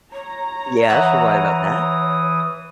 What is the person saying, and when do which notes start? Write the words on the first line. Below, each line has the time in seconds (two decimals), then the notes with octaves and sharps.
Yes, you're right about that.
0.13 C#5 A#5
0.89 E3 E5 F#5 D#6 F#6